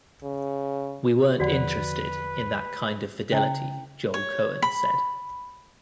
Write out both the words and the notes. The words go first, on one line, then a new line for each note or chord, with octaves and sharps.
"We weren't interested in that kind of fidelity," Joel Coen said.
C#3
E2 D3 F3 F#4 B4 D5 F#5
C#3 C#4 E4 G5
C#5
B5